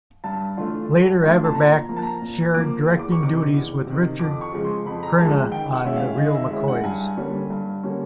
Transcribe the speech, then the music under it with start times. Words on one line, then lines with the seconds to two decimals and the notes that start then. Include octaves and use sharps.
Later, Averback shared directing duties with Richard Crenna on "The Real McCoys".
0.24 G2 A5
0.57 E3 A3 D4 F4
0.90 G2
1.23 E3 A3 D4 F4
1.44 A5
1.55 A#2 A#5
1.88 F3 A#3 A#5
1.96 A5
2.02 A#5
2.22 A#2
2.55 F3 A#3 D6
2.88 E2
2.99 D6
3.12 C#6
3.20 C3 D#3 D6
3.54 E2
3.87 C3 D#3
4.19 F2 D6
4.41 C#6
4.53 C#3 F3 G#3
4.64 C6
4.86 F2 B5
5.03 A#5
5.18 C#3 F3 G#3 A5
5.52 D#3 G5
5.73 F#5
5.85 G#3 C#4 E4 E5
5.96 F5
6.18 D#3 D#5
6.35 E5
6.51 G#3 C#4 E4 E5
6.68 F#5
6.84 G2 G#5
7.17 D3 G3 A#3 C#4
7.50 G2
7.83 D3 G3 A#3 C#4